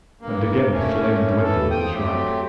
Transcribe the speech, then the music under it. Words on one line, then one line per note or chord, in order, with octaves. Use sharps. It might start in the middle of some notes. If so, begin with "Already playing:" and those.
And again the flame dwindled and shrank.
G2 A#3
A3 A#3 C#4
E3 A4
F3 G5 D#6
F#3 A3 C4 G4